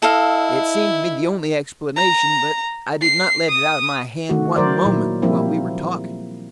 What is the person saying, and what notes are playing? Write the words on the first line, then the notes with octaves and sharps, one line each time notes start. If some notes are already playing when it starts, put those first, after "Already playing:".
It seems to be the only explanation, but I did not let it out of my hand one moment while we were talking.
E4 A4 D#5 F5
A#5
C7
D#6
D#3 A3 F#4
F#3 A#4 C5 D5
A#2 F#3 E4
F3 G3 A#3 C4 E4